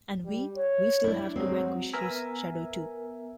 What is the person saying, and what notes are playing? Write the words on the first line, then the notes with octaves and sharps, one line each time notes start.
And we - we still have to vanquish his shadow, too.
G3
C#5
D4 E4
F#3 G#3 C4
B3 A#4 E5 G#5